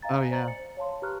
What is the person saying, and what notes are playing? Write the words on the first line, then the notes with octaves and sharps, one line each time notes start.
Oh, yeah.
D#5 F5 G#5 A#5 A6
C5 D5 A#5 A6 F#7
C#7
C#5 F5 A5 C6
G4 B4 A#5 C#6 F6 F#6